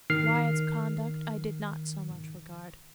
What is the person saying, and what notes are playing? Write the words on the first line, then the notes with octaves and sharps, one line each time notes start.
Wyatt's conduct I did not so much regard.
D#3 F6 C7